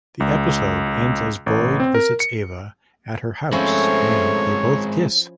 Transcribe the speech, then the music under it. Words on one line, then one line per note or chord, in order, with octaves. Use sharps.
The episode ends as Boyd visits Ava at her house and they both kiss.
C#2
A1
C4
A#4
C#7
F3 G#3 A3 C4 C#4 E4 C#5